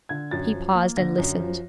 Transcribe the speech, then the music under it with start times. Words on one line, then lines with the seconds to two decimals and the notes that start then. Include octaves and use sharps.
He paused and listened.
0.09 D3 G#6
0.31 F#2 A6
0.53 F3
0.75 A#3
0.97 D3 A#6
1.18 F#2
1.40 F3